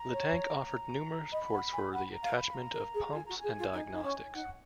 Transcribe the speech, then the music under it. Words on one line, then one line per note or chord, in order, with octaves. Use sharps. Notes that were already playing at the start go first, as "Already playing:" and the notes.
The tank offered numerous ports for the attachment of pumps and diagnostics.
Already playing: A#5
C#5
D#5 B5
F#5
G#5
F#5 B5
A#5
F5
B5
A#5
A#4
G#4
F4 G#5
F#4 A#5
G#4 G#5
F4
D#4
D#4
C#4
D#4 F#5